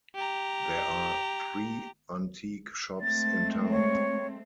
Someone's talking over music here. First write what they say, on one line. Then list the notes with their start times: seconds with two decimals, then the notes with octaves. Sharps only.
There are three antique shops in town.
0.15 G4 A#5
3.01 G#3 A3 C4 A6
3.70 C#5